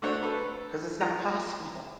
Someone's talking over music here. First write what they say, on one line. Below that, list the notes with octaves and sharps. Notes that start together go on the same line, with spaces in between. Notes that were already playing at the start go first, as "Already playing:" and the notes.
'Cause it's not possible.
A3 D4 F#4 C5 C#5 F#5
A4 B4
F4 A#5